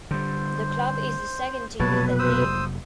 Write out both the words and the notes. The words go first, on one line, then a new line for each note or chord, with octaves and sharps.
The club is the second to use that name.
D3 G3 C5
F1 B2 F#3 A#3 B4 C#5 A5
C5 D#6 E6